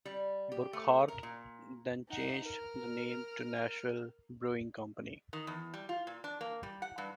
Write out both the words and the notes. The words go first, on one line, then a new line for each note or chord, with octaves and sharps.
Burkhardt then changed the name to the Nashville Brewing Company.
G3
G4
A3
A#4
A#2
D#4 F#5
A#4 F6
D#3
E2
G3
F4
A#2
D4
A#3
G3
F#5
G2